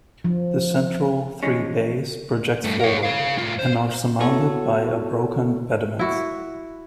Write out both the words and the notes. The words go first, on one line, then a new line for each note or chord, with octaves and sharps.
The central three bays project forward and are surmounted by a broken pediment.
F3
E3 F3 G#3 C#4
G2 A3
A#4 C#5
G#4 F5
A2 F4
C5
B3 E4 F#4 A4 C#5
E4 F#4